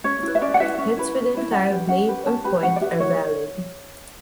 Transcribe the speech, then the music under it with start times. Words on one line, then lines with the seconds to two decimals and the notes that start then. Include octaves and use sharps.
Hits with the entire blade or point are valid.
0.04 C#4 C#5
0.23 E4 B4
0.35 E5
0.42 C#4 D5
0.54 F#5
0.60 E4 B4 E5
0.78 C#4
0.97 E4 B4
1.15 C#4
1.34 E4 B4
1.52 C#4 F#5
1.70 G4 B4
1.89 C#4 F#5
2.08 G4 B4
2.26 C#4 A5
2.44 G4 B4 B5
2.63 C#4 F#5
2.76 D5
2.81 G4 B4 E5
3.00 E4 C#5